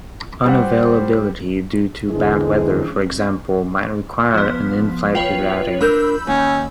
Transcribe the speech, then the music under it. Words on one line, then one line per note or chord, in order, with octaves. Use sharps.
Unavailability due to bad weather, for example, might require an inflight rerouting.
G3 G4 C5 F#5
E2 D3 E3 G#3 C4 G#4
F3 B3
F4 B4 C#5 G5
D4 A#4 B5 E6 G6
D#2 C#4